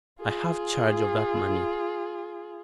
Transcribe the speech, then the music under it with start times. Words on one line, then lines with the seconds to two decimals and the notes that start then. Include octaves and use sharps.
I have charge of that money.
0.21 F4 G#4